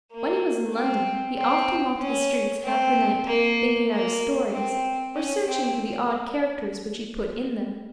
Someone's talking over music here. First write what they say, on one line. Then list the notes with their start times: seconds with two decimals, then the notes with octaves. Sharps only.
When he was in London he often walked the streets half the night, thinking out his stories, or searching for the odd characters which he put in them.
0.11 A#3
0.74 C4
1.37 C4
2.00 C#4
2.64 C4
3.26 A#3
3.89 A#3
4.52 C4
5.15 C#4
5.47 C4